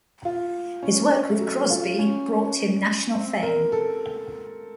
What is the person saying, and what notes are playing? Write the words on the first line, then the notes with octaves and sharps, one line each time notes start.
His work with Crosby brought him national fame.
F4
C#4
A3
F#3
F4
C#4
C4
A#4
A4